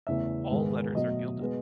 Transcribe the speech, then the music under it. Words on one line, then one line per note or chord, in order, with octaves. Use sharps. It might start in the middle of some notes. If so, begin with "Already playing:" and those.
All letters are gilded.
E2 C#3 E3 A3 E5
G#2 D#3 G#3 B3
B2 F#3 A3 D#5
B2 G#3 B3